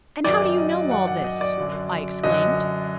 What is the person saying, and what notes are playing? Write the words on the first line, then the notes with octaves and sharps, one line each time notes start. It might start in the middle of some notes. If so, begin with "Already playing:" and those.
"And how do you know all this?" I exclaimed.
F#2 D#3 F#3 D5
D#5
F#2 D#3 F#3 F#5
F#5
D#5
D5
F#2 D3 F#3
F#2 D3 F#3 D#5